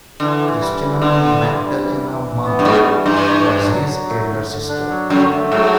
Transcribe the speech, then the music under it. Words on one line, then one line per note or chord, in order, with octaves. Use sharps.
Krystyna Magdalena Munk was his elder sister.
D3 E3
E3
G3
E3
D3 B3
E3
G3
G3
E3
E3
E3
B3
G2
G#2 G3
E3
G2 E3
E3
D4
F#3
F#3
A3
D3
D3
D4
F#3
F#2 D3
A3
G#2 F#3